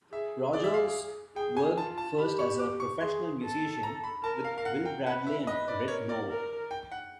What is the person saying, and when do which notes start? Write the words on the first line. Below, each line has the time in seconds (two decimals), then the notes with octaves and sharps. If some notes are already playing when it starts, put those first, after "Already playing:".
Rogers worked first as a professional musician with Will Bradley and Red Norvo.
0.12 G#4 E5
0.53 G#4 D5
0.64 E5
0.74 F5
1.36 G#4 G5
1.57 G#5
1.77 F4 A5
1.98 A5
2.18 G4 B5
2.39 C#6
2.59 D6
2.80 C#6
3.01 G#4 C6
3.42 A4
3.83 A#5
4.04 B5
4.24 A#4 A5
4.44 F5
4.58 F5
4.65 F#5
4.85 G5
5.06 B4 F#5
5.27 E5
5.47 B4 D#5
5.68 D5
5.88 A#4 C#5
6.09 D5
6.30 A#4
6.71 G5
6.92 F#5